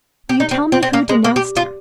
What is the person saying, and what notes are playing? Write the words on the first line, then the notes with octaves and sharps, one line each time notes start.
"Will you tell me who denounced him?"
G4
D#4
C4
C4
C4
A#3
G#3
A#3
G4
F4